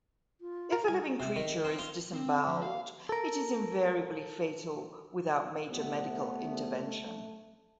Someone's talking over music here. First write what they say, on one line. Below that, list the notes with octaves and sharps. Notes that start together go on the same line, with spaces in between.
If a living creature is disemboweled, it is invariably fatal without major medical intervention.
F4
A#4
G3 G#5
C3
D#3
C4
F4
C4
F3
F5
A4 A#4
C2 A3 B3